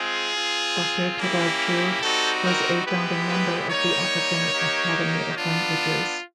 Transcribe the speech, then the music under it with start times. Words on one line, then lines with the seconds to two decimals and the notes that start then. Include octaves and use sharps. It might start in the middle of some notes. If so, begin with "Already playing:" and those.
Doctor Tadadjeu was a founding member of the African Academy of Languages.
Already playing: G#3 C4 F4 G#4
0.34 C4 F4
1.18 A#3 C#4 E4 G4
2.02 G3 C4 D#4 F#4 A4
2.44 A#4
2.86 G#3 B3 E4 G4 B4
3.28 B4
3.70 G3 A#3 D#4 C#5
4.53 A#3 D#4 G4
5.38 B3 D4 F4